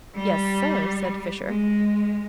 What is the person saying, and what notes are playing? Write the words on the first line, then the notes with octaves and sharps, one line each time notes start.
"Yes, sir," said Fisher.
G3
G#3